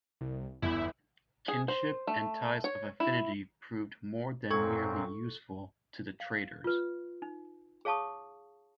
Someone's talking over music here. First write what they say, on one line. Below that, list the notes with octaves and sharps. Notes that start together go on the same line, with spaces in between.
Kinship and ties of affinity proved more than merely useful to the traders.
C2
G1 E2 E4
G#4
C5
A3
C#5
E4
F#2 A#2 C4 A4 C#6 G#6
F5
F4 B4
D#4
G#4 C#5 F5 A5 C#6 D#6